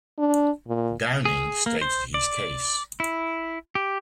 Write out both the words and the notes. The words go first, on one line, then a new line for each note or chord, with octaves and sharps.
Downing stated his case.
D4
A#2
G#4
A#3
C5
D5
E4
G4